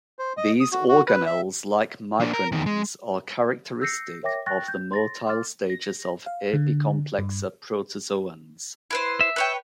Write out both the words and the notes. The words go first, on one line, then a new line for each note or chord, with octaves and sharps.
These organelles, like micronemes, are characteristic of the motile stages of Apicomplexa protozoans.
C5
D#5
D#6
F#4
F#4
B4
E5
A#3 D4
A#4
E2 D#3
G#3
E6 G6 A#6 C7 C#7
A#4 C#5 E5 G5 D6 A#6
G5 C#6 F#6 A6 A#6
G6
C6 A6 A#6
C6 D6 F6 A6
A#6
F5
D3
G2
E4 B4 C5
E5
B4 C#5 G5